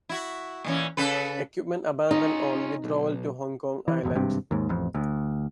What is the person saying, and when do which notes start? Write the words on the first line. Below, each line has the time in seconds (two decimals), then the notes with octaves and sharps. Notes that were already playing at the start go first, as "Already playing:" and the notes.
Equipment abandoned on withdrawal to Hong Kong island.
0.09 E4 F#4
0.64 A#2 E3 C#4
0.97 C#3 A4 B4
2.11 C#4 D#4 F4
2.84 B1
3.88 E3
4.03 D#1 G#1 E2
4.15 G#1 G2 C3
4.51 D#2 G#2
4.69 A1 F2
4.95 D2